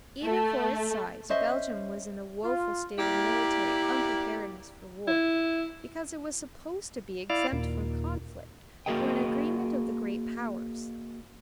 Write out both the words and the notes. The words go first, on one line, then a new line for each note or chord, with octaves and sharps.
Even for its size, Belgium was in a woeful state of military unpreparedness for war, because it was supposed to be exempt from conflict through an agreement of the great powers.
A3
C#4 C5 D#5 E5
F4
A#3 E4 G4 D5
E4
E4 D5 F5
D#2 A#2
A#3 F#4 G#4 A#4 D#5 G5